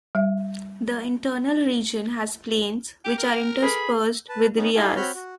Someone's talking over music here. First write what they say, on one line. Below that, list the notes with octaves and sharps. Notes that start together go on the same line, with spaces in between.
The internal region has plains, which are interspersed with "rias".
G3 E5
G4 G5
A#4
G#4 A4 B4 B5
B4 A5
B3 C#4 D#4
D#4 E4 G4 A4 F5 G#5
C4 F#4 C#5 B5 F6 G6
F#4